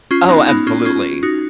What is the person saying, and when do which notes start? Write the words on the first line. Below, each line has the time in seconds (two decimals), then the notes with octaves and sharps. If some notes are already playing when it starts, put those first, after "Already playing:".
Oh, absolutely.
0.11 C#4 F4
0.29 B3 D#4
0.48 B3 D#4
0.67 C#4 F4
0.85 C#4 F4
1.23 D#4 F#4